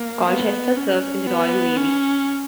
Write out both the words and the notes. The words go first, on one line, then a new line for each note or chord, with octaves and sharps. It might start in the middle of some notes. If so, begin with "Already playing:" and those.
Colchester served in the Royal Navy.
Already playing: A#3
B3
C#4
B3
C#4